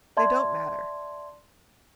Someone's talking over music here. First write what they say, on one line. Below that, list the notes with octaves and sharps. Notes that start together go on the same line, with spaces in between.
They don't matter.
D5 E5 A5 C6 G#6